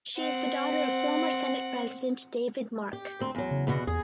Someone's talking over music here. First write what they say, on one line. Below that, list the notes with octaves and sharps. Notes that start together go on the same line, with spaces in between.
She is the daughter of former Senate President David Mark.
C4 F#5
G4
D2 C4
E2 F#3
C#3
E2 B2 F#4
E2 G#4